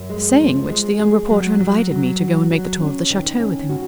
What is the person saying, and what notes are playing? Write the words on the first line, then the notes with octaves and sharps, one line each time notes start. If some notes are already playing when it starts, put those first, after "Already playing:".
Saying which the young reporter invited me to go and make the tour of the chateau with him.
Already playing: F#2
G#3
F3
G#3
G#4
F#3
F#3
F#3
F#3
F#3
C#4
D#3
C#4
F#4